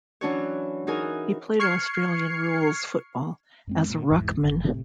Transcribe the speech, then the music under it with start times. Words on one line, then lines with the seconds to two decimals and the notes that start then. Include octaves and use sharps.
He played Australian rules football, as a ruckman.
0.21 E3 F#3 C#4 D4 F#4 C#5
0.87 E3 D#4 F#4 G#4 A#4 G#5
1.60 C#6 F6 G#6 C7 C#7
3.67 F#2 G#3 C4
3.90 A#2
4.10 G#1 E2 G#2 E3
4.43 F#1
4.70 A2 C3